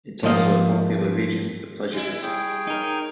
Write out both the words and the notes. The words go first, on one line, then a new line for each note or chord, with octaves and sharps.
It is also a popular region for pleasure boating.
G#2 F3 A#3 D#5 F5
G3 E4
G#4 C#5 G5
D#4 A#4